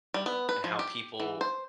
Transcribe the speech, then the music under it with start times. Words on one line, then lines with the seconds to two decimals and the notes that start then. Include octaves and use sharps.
and how people
0.14 G3
0.26 B3
0.49 B4
0.64 F3
0.79 G4
1.20 E3
1.41 C5